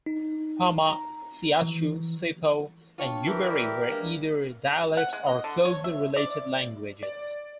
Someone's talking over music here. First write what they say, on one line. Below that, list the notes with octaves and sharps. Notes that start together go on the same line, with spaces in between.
Pama, Sewacu, Sipo, and Yuberi were either dialects or closely related languages.
D#4
A#5
E3
D4 F4 C#5 G5 A5
E3 F#4 G4 A#4 C5
D5 E5 G5
G#3 A#3 D4
F#5
G#3
D#5
D3
C#5
E5
D5
D5